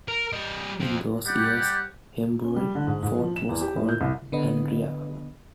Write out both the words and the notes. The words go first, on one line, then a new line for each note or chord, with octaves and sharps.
In those years Hembury Fort was called Handria.
A#4
G3 D#5
F3 C4
G3 G4 D5 F#5
C#4
G3
D3
G#2
G#2
F3
E7
E2
G4
A2
G6
C2
D3 B3 D#5